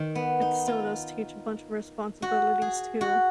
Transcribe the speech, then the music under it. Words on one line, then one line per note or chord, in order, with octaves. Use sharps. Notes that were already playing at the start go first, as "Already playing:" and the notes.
it's still does teach a bunch of responsibilities too.
Already playing: D#3
B3
D#4
F4
F#4
G#4
F#4